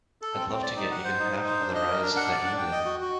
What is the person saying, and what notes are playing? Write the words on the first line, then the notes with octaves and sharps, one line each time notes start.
I'd love to get even half of the rise that you did.
A4
C4
C4
D5
D#4
F#5
C5
D#4
D#4
C5
D4
D#5
A#4
D4
F#5
D5
D4
G5
D#5
F#4
F#4